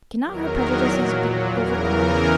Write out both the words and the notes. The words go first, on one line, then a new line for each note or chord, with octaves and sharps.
"Cannot her prejudices be overcome?"
E2 D#3 F#3 A#4
A#2 F#3
E2 C#3 E3 A#4